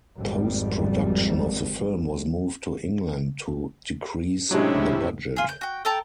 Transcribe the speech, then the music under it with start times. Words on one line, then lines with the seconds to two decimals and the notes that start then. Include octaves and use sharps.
Post-production of the film was moved to England to decrease the budget.
0.16 G#1 F2 G3
4.51 A2 C3 F#3 G#3 C#4 D4 E4 G4
5.36 F4 G#4
5.49 G6
5.61 F#4 G5
5.85 A4 G5 A5 A#5